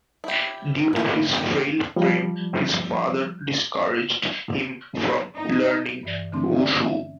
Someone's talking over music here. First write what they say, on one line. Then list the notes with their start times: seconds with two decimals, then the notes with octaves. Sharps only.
Due to his frail frame, his father discouraged him from learning wushu.
0.24 E4 G4
0.93 A2 D#3 A3 A#3 E4 A#4 B4
1.35 A#3 G4
1.96 F3 G3
5.36 D#4
6.03 G2 E3 D5
6.32 D3 E3 A3 C4 D4 C6
6.57 C#4 D5
6.84 D#5 E5